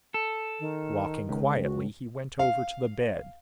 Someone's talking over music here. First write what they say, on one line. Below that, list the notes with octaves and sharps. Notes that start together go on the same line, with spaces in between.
Walking quietly, he went over to the bed.
A4
D#3
C#2
F#4
F5